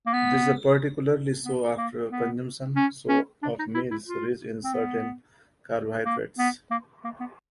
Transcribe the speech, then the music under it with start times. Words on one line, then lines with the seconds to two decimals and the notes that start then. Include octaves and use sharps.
This is particularly so after consumption of meals rich in certain carbohydrates.
0.06 A#3
0.13 B3
1.45 B3
1.77 A#3
2.11 B3
2.76 C#4
3.09 C#4
3.42 D4
3.59 D#4
3.75 E4
3.91 E4
4.07 F4
4.64 C4
4.74 B3
6.05 A#3
6.38 B3
6.71 A#3
7.04 A#3
7.20 B3